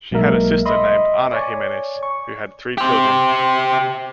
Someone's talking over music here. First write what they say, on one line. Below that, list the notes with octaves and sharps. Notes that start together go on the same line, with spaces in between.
She had a sister named Ana Jimenez who had three children.
B1 G#3 A#3 A#4 E5
D#5 E5 B5 C6 D#6
C#5 D5 G#5
C#6
G4 C5